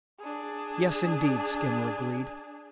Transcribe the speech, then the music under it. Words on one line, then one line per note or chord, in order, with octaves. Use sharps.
"Yes, indeed," Skinner agreed.
D4 G#4